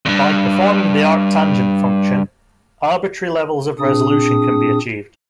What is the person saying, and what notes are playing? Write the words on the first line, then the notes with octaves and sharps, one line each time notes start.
By performing the arctangent function, arbitrary levels of resolution can be achieved.
E2 G2
A#2 C4 D4 G#4 D#6